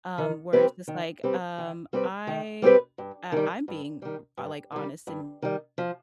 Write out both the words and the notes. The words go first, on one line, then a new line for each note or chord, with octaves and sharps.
Um, where it's just like, um I, uh, I'm being, uh, like honest and
D#3
G3 C4 G4 B4
D#3
G3 C4 G4 B4
D#3
G3 C4 G4 B4
D#3
G3 C4 G4 B4
G2
D#3 G3
G2
D#3 G3
G2
D#3 G3
G2
D#3 G3
F3